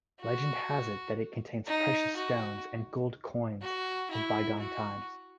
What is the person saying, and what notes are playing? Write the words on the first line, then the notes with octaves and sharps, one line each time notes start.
Legend has it that it contains precious stones and gold coins of bygone times.
F#4
D#4
F#4
F#4
E4
F#4